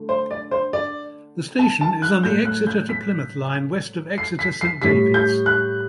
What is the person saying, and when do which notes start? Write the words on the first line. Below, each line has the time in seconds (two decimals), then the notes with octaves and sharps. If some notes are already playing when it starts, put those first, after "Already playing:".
The station is on the Exeter to Plymouth line west of Exeter Saint Davids.
Already playing: D3 A3
0.09 C5
0.31 D5
0.51 C5
0.73 D5
1.59 A5
1.81 A5
2.02 F#6
2.23 A2 F#3 A3 G6
2.45 F#6
2.67 G6
2.89 B6
4.18 C7
4.39 B6
4.61 C7
4.82 A2 G3 B6
5.14 G6
5.46 F#6